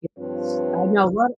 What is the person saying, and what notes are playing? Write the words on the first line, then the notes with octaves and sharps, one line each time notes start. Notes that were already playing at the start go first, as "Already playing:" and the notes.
Yes. I know lotta
G2 F3 C4 F4 B4 C#5